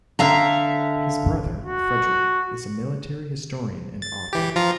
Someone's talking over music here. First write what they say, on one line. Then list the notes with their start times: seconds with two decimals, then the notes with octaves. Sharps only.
His brother, Frederick, is a military historian and author.
0.19 D3 E5 F5 A#5
1.66 F#4
4.02 A6
4.33 E3 G4
4.56 F3 F4 A#5